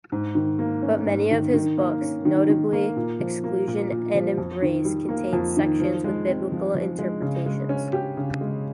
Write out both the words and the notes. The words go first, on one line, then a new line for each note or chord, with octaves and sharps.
But many of his books-notably "Exclusion and Embrace"-contain sections with biblical interpretations.
G#2
D#3
A#3
C#4
G#2
D#3
D#3
A#3
C#4
D#3
D#3
A#3
A#2
F3
A#3
A#2
A#2
F3
F2
D#3
G3
A#3
F2
D#3
F3
G#3
C4
F3
F3
G#3
C#3
G#3
C#4
G4
C#3
G#3